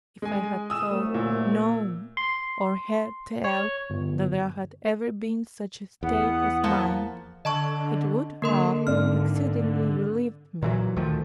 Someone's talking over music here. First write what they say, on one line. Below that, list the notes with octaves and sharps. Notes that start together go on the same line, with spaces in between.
If I had thought, known, or heard tell, that there had ever been such a state as mine, it would have exceedingly relieved me.
G#3 G#5
D#6 E6 E7
C2 F#2 A3
A#2
C6
C#5
G1
E2 B3 F#5
F3 A#3 A5
D3 D#5 A5 C#6
D3 A#3 A#4 C6
G#1 D5 F6
A#2 E3 F#3
D2 D#3 F3 A3